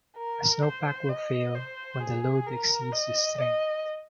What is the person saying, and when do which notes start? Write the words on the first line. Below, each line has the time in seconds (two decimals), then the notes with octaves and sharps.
A snowpack will fail when the load exceeds the strength.
0.17 A#4
0.62 C5
1.09 D#5
1.55 C5
2.01 G#4
2.47 A#4
2.92 D#5
3.38 D#5